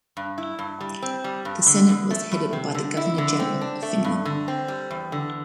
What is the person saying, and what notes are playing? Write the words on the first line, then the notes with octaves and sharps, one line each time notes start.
The Senate was headed by the Governor-General of Finland.
G2
E4
G2
G3
C4
G3
G2
D3
E2
A3
E2
C3
D3
E4
D3
C4
D4
A3
G2
D3
C4
G3
E2
D3